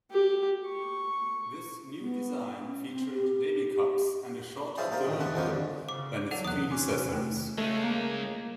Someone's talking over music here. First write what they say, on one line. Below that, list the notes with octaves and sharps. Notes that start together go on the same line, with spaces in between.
This new design featured demi-cups and a shorter girdle than its predecessors.
G4
C#6
B3
C#4
C4
G4
G#4 C5 D5 E5 F5 A5
D#4 F4 G4 A#4 C5 D5
D2 A2 D#3
B3 D4 D5 F#5
D#3 C4 C#4 D#4 C5 F5
G2 D3
C#3 D6
F#3 G#4 A4 D5 F#5 F7
E2 C3 D#3 B3 D#6 F#6
C#4 C6 D6
A3
C#3 G#3 A3
A#3